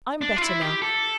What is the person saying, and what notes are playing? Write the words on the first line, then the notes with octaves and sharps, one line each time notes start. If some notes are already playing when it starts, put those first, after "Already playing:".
I am better now.
D4
F4
E4
G4
A4